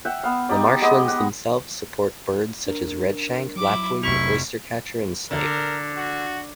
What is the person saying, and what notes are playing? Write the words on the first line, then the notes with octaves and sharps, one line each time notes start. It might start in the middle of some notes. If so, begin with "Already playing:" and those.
The marshlands themselves support birds such as redshank, lapwing, oystercatcher and snipe.
E5 F#5 G5
B3 F5
D#4 G4 D5
G#3 B3 G4 D#5
F#5
D4 A#4
F#3 E4 D6
F1 E4 C#6 F7
D3 A#4
F#4